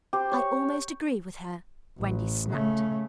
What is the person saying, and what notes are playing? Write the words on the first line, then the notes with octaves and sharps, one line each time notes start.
'I almost agree with her,' Wendy snapped.
G4 C5
C#5
A1
C#3 A3